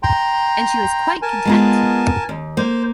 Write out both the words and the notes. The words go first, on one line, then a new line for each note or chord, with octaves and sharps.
And she was quite content.
G5 A#5 C6
A#4 G#5 A5
G#3 B3 F4
D#2
A#3 C5